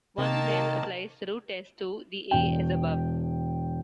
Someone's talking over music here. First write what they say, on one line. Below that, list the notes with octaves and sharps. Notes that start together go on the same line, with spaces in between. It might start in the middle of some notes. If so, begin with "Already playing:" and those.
One then applies the root test to the "a" as above.
C3 D#3 A#3 A5
E1 G5